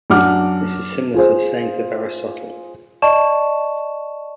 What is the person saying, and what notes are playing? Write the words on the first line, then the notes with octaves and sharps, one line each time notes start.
This is similar to the sayings of Aristotle.
F#2 D4 F#5 D6 F6
F4 G#4 C5
D5 D#5 A5 C#6 E7